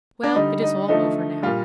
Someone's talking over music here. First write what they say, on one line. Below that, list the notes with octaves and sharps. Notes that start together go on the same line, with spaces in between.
Well, it is all over now.
D4
D3 G3 D#4
D#4
D3 F3 A3 D#4
A#2 G3 F4